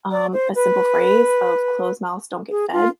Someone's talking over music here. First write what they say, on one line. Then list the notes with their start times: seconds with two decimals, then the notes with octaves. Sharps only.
um, a simple phrase of closed mouths don't get fed,
0.11 D5
0.33 C5
0.55 B4
2.50 G#4
2.72 F4